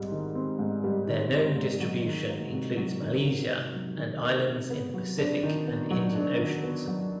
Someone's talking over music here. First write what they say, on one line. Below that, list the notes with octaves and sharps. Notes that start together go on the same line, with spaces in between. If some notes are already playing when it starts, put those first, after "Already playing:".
Their known distribution includes Malesia and islands in the Pacific and Indian oceans.
Already playing: G#2 G3 C4
D#3
C4
G#2
G3
D#3
C4
G#2
F#3
D#3
A#3
C3
F#3
D#3
A#3
C3
F#3
D#3
A#3
C3
B3
F#3
D4
D#3
B3
F#3
D4
D#3
B3
F#3